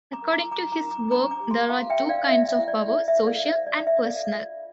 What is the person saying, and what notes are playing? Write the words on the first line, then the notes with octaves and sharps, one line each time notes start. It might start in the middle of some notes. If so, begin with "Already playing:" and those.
According to his work there are two kinds of power, "social" and "personal".
A#5 D6
A#4
A#5 D6
F4 A#5 D6
A#5 D6
A#4
A#5 D6
D4 A#5 D6
A#5 D6
G4
A5 C6
F4 F5 A5
E5 G5
A#4
D5 F5
E4 E5
E5
E4
D5
E4 E5
E5
A#4
D5 F5
C5 E5
D5
D4
E5
A4 D5 F5
F4